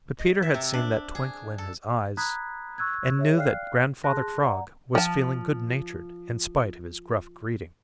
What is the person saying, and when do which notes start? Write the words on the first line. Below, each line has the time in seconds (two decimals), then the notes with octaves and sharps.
But Peter had seen that twinkle in his eyes and knew that Grandfather Frog was feeling good-natured in spite of his gruff greeting.
0.19 D#5
0.42 E5
0.54 C3
0.73 D4
1.15 G#4
1.58 A4
2.17 A#5 B5 D#6 F#6 G#6 B6
2.78 C#6 E6 F#6 G#6
3.17 G#4 C#5 E5
3.37 D5 F5 G5 F6 F#6 C7
4.04 G#4 A5 C6 F#6 A#6
4.43 D5 F#5 A#5
4.95 F3 A5